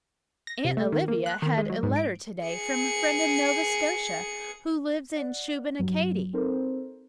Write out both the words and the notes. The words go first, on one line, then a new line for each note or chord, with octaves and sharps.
Aunt Olivia had a letter today from a friend in Nova Scotia, who lives in Shubenacadie.
A#6
C3
A3
D#3
A#3
F#6
D#3
G#3
F#3
G#2
D7
G#4 C#7
D5 F#5
G2 F#3
C4 D#4 A4 A#4 C5